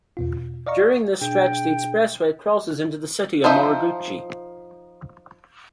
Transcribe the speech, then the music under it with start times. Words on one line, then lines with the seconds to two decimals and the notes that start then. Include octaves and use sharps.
During this stretch the expressway crosses into the city of Moriguchi.
0.17 E2 B2 F4
0.67 D5 D#5 F5 A#5 C#6
1.21 B2 D4 G#4 G5
3.44 F3 D#4 C5 E5